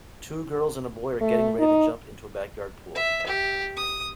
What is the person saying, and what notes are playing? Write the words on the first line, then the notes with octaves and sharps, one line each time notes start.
Two girls and a boy are getting ready to jump into a backyard pool.
A3
D#4
E5
G4
D#6